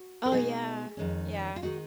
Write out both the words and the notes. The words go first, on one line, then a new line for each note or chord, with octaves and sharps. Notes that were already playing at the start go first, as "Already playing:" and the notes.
Oh, yeah. Yeah.
Already playing: F#4
A#4
B2 G#3 B3 D#4 G#4
F2 D#3 G#3 C#4
F4
D#3 G#3 D#4 F#4